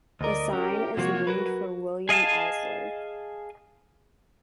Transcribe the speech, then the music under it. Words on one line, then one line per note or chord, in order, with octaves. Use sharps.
The sign is named for William Osler.
D2 A#4 D5 D#5
C#4 G4 A#4
C3 F3 A#3 F#4 C#5
F#3 F#4 A#4 B4
G#4 D#5 F5 G#5 A5